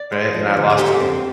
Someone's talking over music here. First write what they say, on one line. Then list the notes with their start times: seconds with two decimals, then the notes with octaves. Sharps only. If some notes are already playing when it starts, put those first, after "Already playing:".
Right? And I lost to him.
Already playing: D5
0.12 G#3
0.34 F3
0.57 D2
0.70 G#4
0.78 D3 G4
1.01 C4